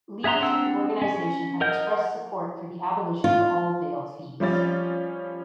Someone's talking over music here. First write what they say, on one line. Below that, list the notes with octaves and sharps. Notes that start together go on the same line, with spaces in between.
Leaders of the organization have expressed support for the abolition of all bail fees.
G#4 E5 F#5 A#5 C6
C4 D4 F#5 E6
C#4
A#4 D#5 F#5 G6
F4
F3 G3 C#4 A6